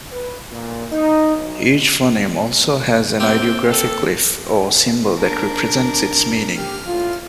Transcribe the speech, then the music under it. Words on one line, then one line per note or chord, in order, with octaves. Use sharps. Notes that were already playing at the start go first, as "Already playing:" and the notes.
Each phoneme also has an ideographic glyph or symbol that represents its meaning.
B4
A#2
D#4
B1
A#3 C4 G4 G5
A4
D4 A#4
G4 F6
A2 F4